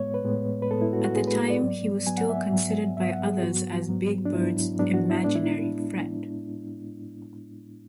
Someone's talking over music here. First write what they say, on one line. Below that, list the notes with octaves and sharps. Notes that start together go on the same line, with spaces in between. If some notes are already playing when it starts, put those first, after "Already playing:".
At the time he was still considered by others as Big Bird's "imaginary" friend.
Already playing: A2 G#3 B3 C#5
B4
A2 G#3 B3
B4
A2 G#3 B3 A4
E4
F#4
F#4
A2 G#3 B3 G#4
B4
D5
G#2 F#3 B3
G#2 F#3 B3 G#5
F#5
E5
G#2 F#3 B3
G#2 F#3 B3 E5
F#5
G#4
G#2 F#3 B3 F#4
G#2 F#3 B3
D4
G#2 F#3 B3 E4
G#2 F#3 B3 D4
F#4
E4
A2 G#3 B3 D4
E4